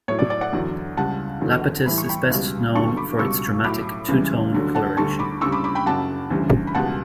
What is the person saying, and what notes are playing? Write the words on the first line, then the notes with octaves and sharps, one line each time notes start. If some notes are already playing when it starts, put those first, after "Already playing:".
Iapetus is best known for its dramatic "two-tone" coloration.
A2 F#3 C#5
D5
D5
D5 F#5
E2 D3 F#3
C#2 C#3 G3 F#5 A5
E2 D3 F#3
A2 E3 G3 B5
C#6
G5 B5
C#2 B2 G3
G2 D3 F#3 A5 C#6
B5 D6
C#2 B2 G3 C#6 E6
A2 F#3 B5 D6
C#2 C#3 E3 G3
D2 D3 F#3
F#5 A5
D2 D3 G3 A5 C#6
B5 D6
D2 C#3 G3 C#6 E6
B5 D6
B5 D6
G5 B5
F#2 C#3 F#3 F#5 A5
D2 C#3 E3 G3
B5
C#2 B2 G3 F#5 A5